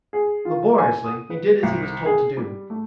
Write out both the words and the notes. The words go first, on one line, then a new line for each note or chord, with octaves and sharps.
Laboriously, he did as he was told to do.
G#4
F4
G#5
D#6
B4
C2
G#4
G3
A3